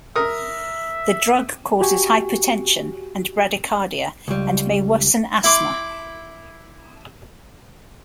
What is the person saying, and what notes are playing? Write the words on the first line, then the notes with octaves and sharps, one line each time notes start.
The drug causes hypotension and bradycardia and may worsen asthma.
A#4 E5 D#6
F#4 G4 G#5 C#6
C#2 G3
E4 E5 B5 C6 D6